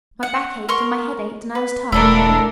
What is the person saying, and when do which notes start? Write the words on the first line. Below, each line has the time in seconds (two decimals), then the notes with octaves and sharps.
My back ached and my head ached and I was tired.
0.23 F#5
0.69 A#4 C6 C#6
1.55 B4
1.92 E1 A3 D4 E4 A4 A#4 D5